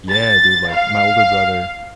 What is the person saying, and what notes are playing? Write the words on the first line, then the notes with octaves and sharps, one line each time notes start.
Yeah, dude, like, my older brother
A6
F5